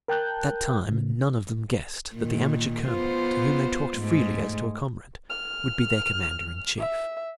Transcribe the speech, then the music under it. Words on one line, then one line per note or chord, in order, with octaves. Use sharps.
At that time none of them guessed that the "amateur colonel," to whom they talked freely as to a comrade, would be their Commander-in-Chief.
A#4 G5 A5 F#6 G6
A2 C#3
A#2 D#3
B3 F4 C5
G#2 G#3 A3
F6
E5